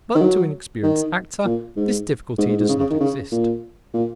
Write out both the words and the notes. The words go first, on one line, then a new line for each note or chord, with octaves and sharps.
But to an experienced actor this difficulty does not exist.
D#3
F#3
D#3
A#2
G#2
G#2
G#2
G#2
C#3
C#3
D#3
C#3
A#2
A#2